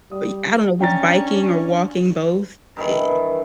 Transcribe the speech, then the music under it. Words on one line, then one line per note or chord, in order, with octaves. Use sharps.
I I don't know if it's biking or walking, both, it
G3 D#6
C#4 D4 G5 A#5 A6
G2 D#3 E3